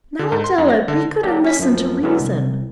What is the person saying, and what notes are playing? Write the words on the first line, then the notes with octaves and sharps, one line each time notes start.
"Now, Adela, be good and listen to reason."
D3
G#2
C6
F#2
A#6
D3
F#3 A#3 D4 G4
C#4 B6
F#2 F3
D3 E3 F#3 G#3 B3 C#4
C2